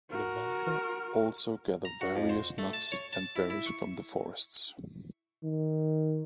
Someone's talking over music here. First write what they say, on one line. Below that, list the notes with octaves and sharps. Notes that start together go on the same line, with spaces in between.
The Vai also gather various nuts and berries from the forests.
F#4 A#4
A#5
F#4
F2
C5
A3
A5
C#5
A5
E4
E4
C#6
D#3